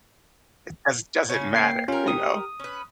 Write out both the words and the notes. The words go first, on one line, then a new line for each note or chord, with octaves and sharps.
It does doesn't matter, you know?
C#3 C#4
A#3 G5 C7
C#4 F4 G4 A#4
D#6
C#4 B4